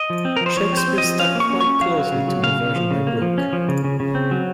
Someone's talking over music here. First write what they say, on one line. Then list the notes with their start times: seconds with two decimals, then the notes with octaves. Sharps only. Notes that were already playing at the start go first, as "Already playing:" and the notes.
Shakespeare stuck quite closely to the version by Brooke.
Already playing: D#5
0.10 F3
0.25 C4
0.36 A#4
0.41 F3
0.46 C5
0.57 F3 C#5
0.72 C4 C5
0.88 C4
0.98 D#5
1.04 F3
1.19 C#4 F5
1.35 A#3
1.40 C#6
1.50 C#4
1.61 C#6
1.66 C#4
1.81 F#3 F5
1.98 F#3
2.12 C#3
2.28 F#3
2.43 C#3 F5
2.60 C#3
2.76 F3
2.91 C#3
3.07 A#3
3.22 F3
3.38 C#4
3.53 F3
3.69 C#3
3.84 C#3
4.00 C#3
4.15 C4
4.31 F#3